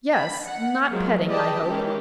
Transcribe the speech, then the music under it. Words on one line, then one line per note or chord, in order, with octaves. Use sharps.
Yes; not petting, I hope.
B5
F#5
F3 F#3 G#3 A#3
G4 G#4 B4 D5 D#5 A5
D#3 E3 G#3 C#4 G4